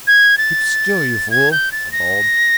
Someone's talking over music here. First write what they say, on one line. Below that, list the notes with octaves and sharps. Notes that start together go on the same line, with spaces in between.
"Keep still, you fool!" I bawled.
G#6
A6
G#6
G6
A6
A#6